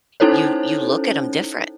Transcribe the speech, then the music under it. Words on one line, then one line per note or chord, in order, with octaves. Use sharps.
you you look at him different.
C#4 D#4 E4 A4 C5 C#5